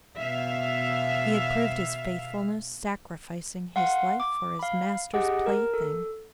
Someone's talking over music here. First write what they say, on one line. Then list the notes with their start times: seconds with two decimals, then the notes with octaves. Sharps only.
He had proved his faithfulness, sacrificing his life for his master's play-thing.
0.19 B2 E5 F5
3.76 F5 F#5 C6
4.20 D6
4.59 F5 B5
5.14 G4 G#4 D#5 F#5
5.46 A#4
5.74 A4